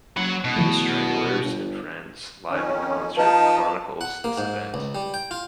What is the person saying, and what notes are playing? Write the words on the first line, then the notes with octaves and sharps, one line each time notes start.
"The Stranglers and Friends: Live in Concert" chronicles this event.
F#1 F#3 F#5 B5 C7
D#1 B2
E2 D#3 F3 A3
E1
G1
F2 D#3 C#4
F3 D#4 B4 D#5 A5
F#5
A#3
G#2
C#2
G3
G5
F4